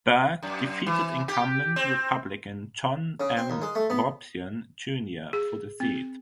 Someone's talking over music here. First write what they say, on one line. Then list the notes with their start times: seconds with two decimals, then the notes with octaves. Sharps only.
Burke defeated incumbent Republican John M. Robsion, Junior for the seat.
0.43 F#2
0.86 E3
1.28 G4
1.76 C4
3.20 C#3
3.37 C4
3.50 D#2
3.62 G#3
3.75 A3
3.90 B3
5.33 G#4
5.80 C4